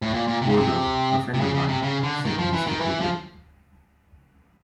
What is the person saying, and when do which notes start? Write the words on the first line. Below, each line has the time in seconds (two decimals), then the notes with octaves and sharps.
Wardle — a friend of mine,’ said Mr. Pickwick.
0.02 A2
0.14 A#2
0.28 A#2
0.42 C3
0.49 C#3
0.57 C3
1.34 C3
1.40 C#3
1.54 C#3
1.68 C3
1.83 C#3
2.03 D3
2.25 D#3
2.38 F3
2.53 E3
2.67 D#3
2.80 E3
3.01 F3